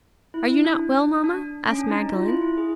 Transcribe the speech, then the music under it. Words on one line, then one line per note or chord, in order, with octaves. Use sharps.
"Are you not well, mamma?" asked Magdalen.
E4
E4
D4
D4
C#4
D4
D#4
F4
E4
E4
G#4